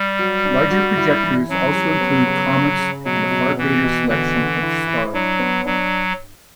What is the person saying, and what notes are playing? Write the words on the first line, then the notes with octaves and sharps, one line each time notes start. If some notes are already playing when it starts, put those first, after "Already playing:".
Larger projectors also include comets and a far greater selection of stars.
Already playing: G3
F#3
D4
F#4
E4
E3
F#3 C#4
G3
B3
C#3
C#3
C#3
B2 F#3
B2
B2 E3
B2
D3 E3
D3
E4
E4
F#3 D4
B3
F#3 D4